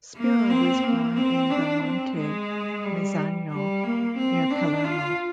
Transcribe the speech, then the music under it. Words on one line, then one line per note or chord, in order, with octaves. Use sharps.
Spera was born in Belmonte Mezzagno, near Palermo.
A#3
C4
A#3
C4
D4
C4
G#3
G3
G3
A#3
C4
D4
F4